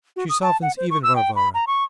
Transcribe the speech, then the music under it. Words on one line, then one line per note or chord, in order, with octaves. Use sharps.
She softens even Varvara.
F#4
D#6
A5
F#5
C5
C#6
E6
G5
B5
A#5
C#6